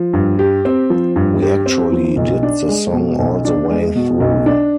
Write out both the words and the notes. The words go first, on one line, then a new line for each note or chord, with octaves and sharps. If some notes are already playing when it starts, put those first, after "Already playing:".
We actually did the song all the way through.
Already playing: F3
G2
G4
C4
F3
G2
G4
C4
F3
B1
D4
G#3
B2
B1
D4
G#3
B2
B1
D4